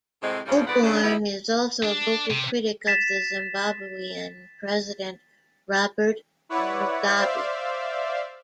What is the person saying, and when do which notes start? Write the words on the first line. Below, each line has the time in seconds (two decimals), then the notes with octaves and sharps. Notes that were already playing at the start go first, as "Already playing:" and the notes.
Oborne is also a vocal critic of the Zimbabwean president, Robert Mugabe.
0.22 A2 C3 G#3 C4
0.46 F2 G#2 C#3 G3 C#4 D4
0.67 F2 G#2 B3 B4 D5 F#5
0.83 C#3 D4
1.03 G3 B3 D#4 E4
1.84 D4
2.30 C3
2.87 A6 B6 E7
6.49 E4 B4 C#5 D5 F#5
7.15 C5 D5 E5 F5